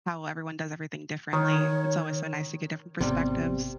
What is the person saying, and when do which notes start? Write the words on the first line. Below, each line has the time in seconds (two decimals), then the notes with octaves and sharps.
how everyone does everything differently. It's always so nice to get different perspectives.
1.33 D#3 C#5
3.01 G#1 C3 G3 B3